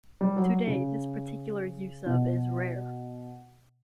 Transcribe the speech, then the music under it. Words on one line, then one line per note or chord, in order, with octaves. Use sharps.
Today, this particular use of is rare.
G3
F#3
C#3
B2